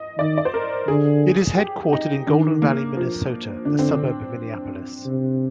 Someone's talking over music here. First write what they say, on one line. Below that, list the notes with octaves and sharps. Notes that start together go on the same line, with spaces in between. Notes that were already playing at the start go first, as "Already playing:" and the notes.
It is headquartered in Golden Valley, Minnesota, a suburb of Minneapolis.
Already playing: D#5
D#3 D5
D5
C5
A#4
D3 G#4
G4
D#4
D#3 D4
A#3
F3
D3 D4
C4
D4
C3